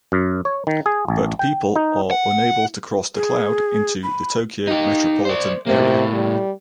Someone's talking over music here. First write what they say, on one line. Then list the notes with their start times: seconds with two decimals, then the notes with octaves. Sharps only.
But people are unable to cross "the cloud" into the Tokyo metropolitan area.
0.12 F#2
0.45 C#5
0.67 D#3
0.86 G#4
1.08 A1
1.39 G5
1.76 D#4
2.11 F#5
3.16 G#4
4.03 B5
4.67 D#4 G4
5.25 C5 D5
5.67 A2 C3 A#3
6.13 G3